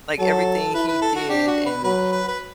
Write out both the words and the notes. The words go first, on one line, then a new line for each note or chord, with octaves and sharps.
like, everything he did and,
F#3 A4
E4 B4
B4
A4
F#4
D4 G4
F#4
B4
F#3 B4
B4
B4